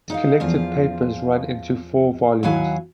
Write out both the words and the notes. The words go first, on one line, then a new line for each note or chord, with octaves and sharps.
His collected papers run to four volumes.
D#4 D#5 F5
E2 F3 F4
D#2 F#3 E4 F#4 F5 G#5